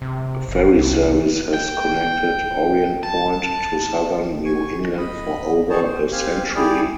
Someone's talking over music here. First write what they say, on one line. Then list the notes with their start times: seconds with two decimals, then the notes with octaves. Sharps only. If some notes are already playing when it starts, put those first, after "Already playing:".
Ferry Service has connected Orient Point to southern New England for over a century.
0.02 C3
0.48 F#1
0.76 C2
1.54 G5
3.03 A5
4.45 G#5 C#6
4.97 D#5 B5
5.69 C4 G#4 C5 C#5 A5
5.85 C5
6.12 C4 G4 F5 G#5
6.55 E4 G4 G#4 D5